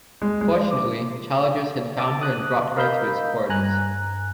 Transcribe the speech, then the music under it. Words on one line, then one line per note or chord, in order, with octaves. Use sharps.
Fortunately, Childress had found her and brought her to his quarters.
G#3
G#3
D5
D6
A5 D6 A6
D#6 F#6
A#4 D#5 F5 B5 E6 G6
G2 G#5 A#5 F#6